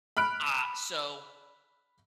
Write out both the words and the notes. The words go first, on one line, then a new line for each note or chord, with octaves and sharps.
Ah, so,
B5 F6 F#6 D7